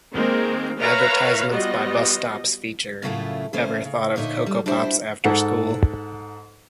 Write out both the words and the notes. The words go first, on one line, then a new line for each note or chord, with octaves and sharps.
Advertisements by bus stops feature, Ever thought of Coco Pops after school?
D#3 G#3 A#3 C4 A#4
A#4 B4 C#5 E5 F5 A#5
G3 B3 F4 F#4 D#5
F#2 A2 C#3 A3 E4 F4
C#3 E3 A3 A#3 C#4 C5
C#3
A#2 D3 D#4 C#5 E5
G3
D4 E4 F#4 G4 C5 E5
G#2 A4 F#5